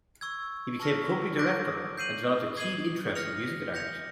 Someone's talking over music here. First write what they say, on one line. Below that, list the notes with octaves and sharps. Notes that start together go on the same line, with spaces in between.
He became a company director and developed a keen interest in music and art.
C#6 E6 G#6
A5 C#6 F6 A#6
D6 G6 A#6 D7
G6 C7 D#7 F#7
D#6 G#6 C7 D#7 F#7
F6 A#6 C#7 F7
G6 A#6 C#7 F7